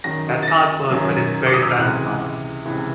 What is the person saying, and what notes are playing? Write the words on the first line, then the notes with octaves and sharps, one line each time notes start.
That's hard work, but it's very satisfying.
F#2 D#3 F#3 A#6
A6
A#6
F#2 D#3 F#3
D6
D#6
E6
F6
C#2 C3 E3 F#6
C#2 C3 E3